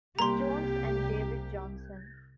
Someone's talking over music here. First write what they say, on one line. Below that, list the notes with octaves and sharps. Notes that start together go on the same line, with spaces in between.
Jones and David Johnson.
C2 G3 A#3 G4 A#5 C6